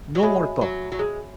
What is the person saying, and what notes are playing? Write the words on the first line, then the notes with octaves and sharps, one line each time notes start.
No more talk!
F#3
G#3 F#4 C#5 E5 G#5 B5
F#3
F#3
G#3